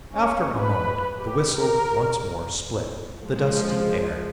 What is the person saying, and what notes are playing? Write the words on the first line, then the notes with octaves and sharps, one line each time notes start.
After a moment the whistle once more split the dusty air.
C#4
B4
G4
A#4
F3 G#3